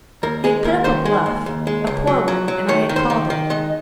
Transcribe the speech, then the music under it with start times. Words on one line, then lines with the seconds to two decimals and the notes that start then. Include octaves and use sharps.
He had put up a bluff--a poor one--and I had called it.
0.23 D#2 A#4
0.44 G#3 G#4
0.64 D#2 A#4
0.84 D#3 C5
1.05 G#3
1.26 D#2
1.46 D#2
1.67 G#3
1.87 C#2
2.07 F#3
2.28 F#3
2.48 F#3
2.69 D#3 C#5
2.89 D#3
2.96 C5
3.10 D#3
3.30 D#3
3.50 G#3 D#5